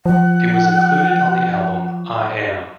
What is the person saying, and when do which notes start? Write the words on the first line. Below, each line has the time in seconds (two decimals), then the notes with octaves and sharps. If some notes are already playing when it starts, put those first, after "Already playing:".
It was included on the album "I Am".
0.06 F3 F#5